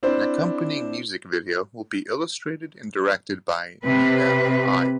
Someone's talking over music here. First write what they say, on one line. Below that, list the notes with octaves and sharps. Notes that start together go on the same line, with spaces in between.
An accompanying music video will be illustrated and directed by Niina Ai.
C4 D4 E4 C5
C3 B4